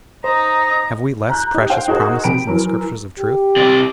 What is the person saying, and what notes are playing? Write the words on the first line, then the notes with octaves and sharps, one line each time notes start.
Have we less precious promises in the Scriptures of truth?
D#4 C5 A#5 D#6
A#5 F#6 G6
D#4 G4
C5 F5 G5
D#4 F#4 G#4 A#4 C5
C3 G5 B5 D7
E3 F#3 A#4
G4
C3 D5